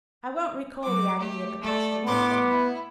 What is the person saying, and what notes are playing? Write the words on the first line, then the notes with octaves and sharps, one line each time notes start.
I won't recall the agony of the past for nothing.
F#3 D6
A3 G4
A3 A4 D5
A2 B3 C6 D6
E4